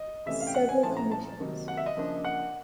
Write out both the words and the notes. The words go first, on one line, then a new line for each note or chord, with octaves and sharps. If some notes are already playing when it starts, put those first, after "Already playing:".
Several commissions.
Already playing: D#5
C3 E3 A3 C#4 E5
F5
G5
F#5
G#5
A#2 F3 A3 C#4 E4 A5
A#5
A5
C3 D#3 F#3 A#3 D#4
F#5
E5
D#5
C#3 F3 A#3 D4
F#5